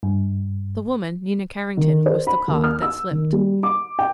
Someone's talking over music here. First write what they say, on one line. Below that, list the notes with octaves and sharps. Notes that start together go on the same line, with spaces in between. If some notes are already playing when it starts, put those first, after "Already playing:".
The woman, Nina Carrington, was the cog that slipped.
G2
D#3
C5
B5
D#2
F6
E6
D#3
G3
D6
G5